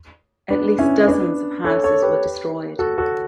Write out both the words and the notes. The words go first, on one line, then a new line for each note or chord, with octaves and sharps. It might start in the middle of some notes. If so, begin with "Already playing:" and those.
At least dozens of houses were destroyed.
B3 D4
C#4 E4
B3 D4
A4 C#5
A4 C#5
G4 B4
F#4 A4
F#4 A4